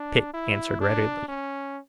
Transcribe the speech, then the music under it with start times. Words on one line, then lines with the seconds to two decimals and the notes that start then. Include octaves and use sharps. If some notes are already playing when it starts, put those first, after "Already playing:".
Pitt answered readily.
Already playing: D4
0.33 E4
0.80 D4
1.28 C#4